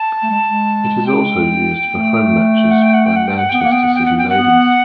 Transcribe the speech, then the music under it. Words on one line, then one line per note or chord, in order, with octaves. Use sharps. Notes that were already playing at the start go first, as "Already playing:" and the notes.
It is also used for home matches by Manchester City Ladies.
Already playing: A5
A3
G#3
G#3
G5
A3
F#5
G5
F#5
G5
F#5
G5
F#5
B3 G5
A#3 F#5
B3 G5
F#5
G5
F#5
G5
F#5
B3